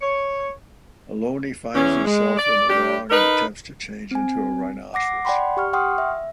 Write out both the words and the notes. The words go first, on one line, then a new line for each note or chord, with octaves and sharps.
Alone, he finds himself in the wrong and attempts to change into a rhinoceros.
C#5
E2 E3 C#4
G#3
D5
G3 D4 G4
D#4 A#4 B4
C4 G#5
F#5 D6 A#6 C7
D5 F#5 G5 B5 C6
G4 C#6 F6
F#5 G5 C6 C#6 D#6 F6
E5